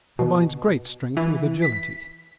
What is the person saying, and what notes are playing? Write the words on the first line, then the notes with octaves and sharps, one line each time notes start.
Combines great strength with agility.
B2
E3
B6